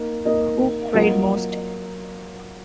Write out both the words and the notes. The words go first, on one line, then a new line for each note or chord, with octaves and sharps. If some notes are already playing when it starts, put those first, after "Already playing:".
Who cried most?
Already playing: A#3 D#4 A#4
A#3 D#4 A#4 D#5
F#3 A#3 F4 A#4 D#5